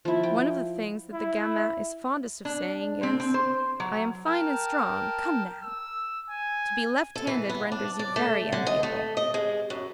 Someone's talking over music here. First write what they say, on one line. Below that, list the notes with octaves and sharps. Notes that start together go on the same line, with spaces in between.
One of the things that the gamin is fondest of saying is: "I am fine and strong, come now!" To be left-handed renders you very enviable.
F3 E4
G5
E4
D4
C4
C4
C5
F#3
A#4 G5 A5
E6
G#5
A4
E3
B3
D4
D5
A3
D3
D#5
A3
D#5
G#3
F#2